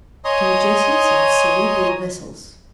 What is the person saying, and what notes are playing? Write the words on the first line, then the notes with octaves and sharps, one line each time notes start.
Turgescence of cerebral vessels.
C#5 D#5 G#5 A#5 C6 D#6